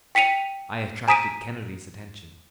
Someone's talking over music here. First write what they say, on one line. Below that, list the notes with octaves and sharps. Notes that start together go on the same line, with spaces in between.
I attracted Kennedy's attention.
G5 B6 C#7 D#7 F7
G#5 A#5 D#6 B6 D7 D#7